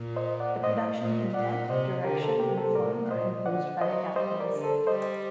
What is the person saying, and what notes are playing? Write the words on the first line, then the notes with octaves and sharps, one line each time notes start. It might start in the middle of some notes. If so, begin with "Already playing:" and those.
The production content, direction and form are imposed by the capitalist.
Already playing: A#2
C5 D#5
D5 F#5
A2 C5 D#5
A#2
A#2 D5 F#5
C3 C5 D#5
D3 G4 A#4
A4 C5
C3 G4 A#4
A4 C5
A2 A#4 D5
A#2 C5 D#5
D3 D5 F#5
F#3 C5 D#5
G3 C5 D#5
A#4 D5
D3
A4 C5
G3 C5 D#5